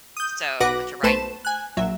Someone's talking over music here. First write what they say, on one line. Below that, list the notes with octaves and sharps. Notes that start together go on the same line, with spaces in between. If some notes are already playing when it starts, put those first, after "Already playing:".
so, to write
D#6 G6
B1 F#4 B4 F#5 D6 A#6
B1 A3 B4 C5 A5 E7
G#5 F#6
A#1 F#3 E5